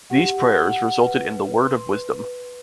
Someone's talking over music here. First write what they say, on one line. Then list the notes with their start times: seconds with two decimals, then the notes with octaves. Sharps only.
These prayers resulted in the "Word of Wisdom".
0.10 G4 F#5
0.41 F#5
0.70 F#5
1.00 B4
1.30 B4
1.60 C6
1.89 B4
2.19 B4